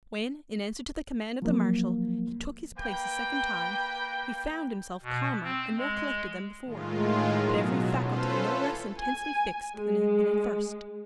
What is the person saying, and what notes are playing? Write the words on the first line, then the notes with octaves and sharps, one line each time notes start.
When, in answer to the command of the Marshal, he took his place a second time, he found himself calmer and more collected than before, but every faculty no less intensely fixed than it had been at first.
F3 F#3 A#3
A#3 B4 G5
B2
C4
G#3
A2 D#3 G#3 F4
B2 F#3
C#4 F4 A4 B4 C5
E3 A4 C#5
G#5
G#3